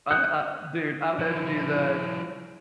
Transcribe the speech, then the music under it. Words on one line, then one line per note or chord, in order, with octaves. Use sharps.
uh, uh dude, I've had to do that.
D#6 F#6 G6 C#7
F3 E4